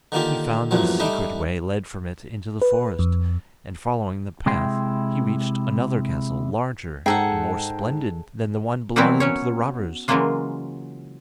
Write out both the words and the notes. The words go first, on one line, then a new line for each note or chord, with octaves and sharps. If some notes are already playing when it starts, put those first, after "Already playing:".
He found that a secret way led from it into the forest; and following the path, he reached another castle larger and more splendid than the one belonging to the robbers.
D3 D#3 A#3 F4 G4
E2 G2 A#2 F3 F#3
G3 A3 D4 D#4
B4
F2
C3 G#3 E4 G5 C6
G#2 G#4 A4 F#5 G5 A#5
E3 F#3 G3 B3 C4 E4
F#3 C#4 C#5
C#3 E3 F#3 G#3 A#3 F4